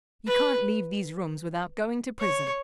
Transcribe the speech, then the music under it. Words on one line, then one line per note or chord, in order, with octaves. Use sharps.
You can't leave these rooms without going to prison.
B4
C#5